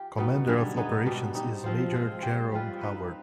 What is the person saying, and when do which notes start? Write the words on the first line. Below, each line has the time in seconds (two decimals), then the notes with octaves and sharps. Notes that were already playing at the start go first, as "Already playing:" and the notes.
Commander of Operations is Major Jerome Howard.
Already playing: F4 G4
0.18 B2 G3 B3 D#4
0.47 D3 G3 D4 G#4
0.76 G#3 B3 D#4 G#4
1.05 B2 G3 D4
1.34 C4 D#4 G4
1.64 F3 C4 F4 C5
1.93 G#3 C4 F4 C5
2.22 G#3 C4 G4 C5
2.52 G3 C4 F4 B4
2.81 C4 D#4 B4